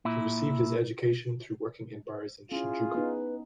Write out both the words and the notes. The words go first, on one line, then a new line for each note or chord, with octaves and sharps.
He received his education through working in bars in Shinjuku.
A#2 E4
C#4 E4 F4 G#4
B3 D#4 B4